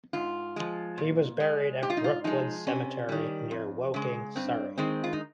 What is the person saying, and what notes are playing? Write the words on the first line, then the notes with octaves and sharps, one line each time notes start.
He was buried at Brookwood Cemetery near Woking, Surrey.
G#2 F4
F3 G#3
A#2
G#3
G#2 G4
F4
D#4
F4
F3 G#3 D#4
C3 C#4
D#3 G3
F2
C#3 G#3
G2 C4
D#3 G#3 C4
F4
D#4